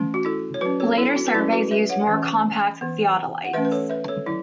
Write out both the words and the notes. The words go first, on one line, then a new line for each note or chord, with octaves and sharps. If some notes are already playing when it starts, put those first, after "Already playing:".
Later surveys used more compact theodolites.
Already playing: E3 A3 C#4
F#4
E4 A4
C#5
F#3 C#4 F#4 B4
A4 C#5
E4 A4
F#4
B4
F#3 C#4 E4 A4
F#4 B4
B4 E5
C#5 F#5
E3 C#4
E3 B3
F#5
E3 A3 C#4 B4 E5
B4
A4 C#5
B4 E5
A4 C#5
F#3 E4